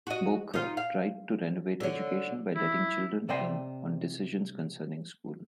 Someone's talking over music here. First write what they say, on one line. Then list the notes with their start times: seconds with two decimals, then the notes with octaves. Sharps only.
Boeke tried to renovate education by letting children in on decisions concerning school.
0.07 F#4 D#5
0.54 D#4 F4
0.77 F5
1.80 D3 C#5
2.56 E4
3.29 C3 C5 D5 D#5 G5 C6